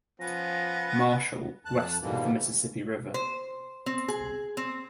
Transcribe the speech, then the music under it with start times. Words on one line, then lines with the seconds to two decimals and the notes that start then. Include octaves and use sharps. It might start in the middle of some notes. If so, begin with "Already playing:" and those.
Marshal west of the Mississippi River.
0.20 F3 B3 C#4 A#6
1.65 F2 A5 F#6
2.02 G#2 B2 D3 E3 G3 A#3
3.14 C5
3.86 C4
4.08 G#4
4.57 C4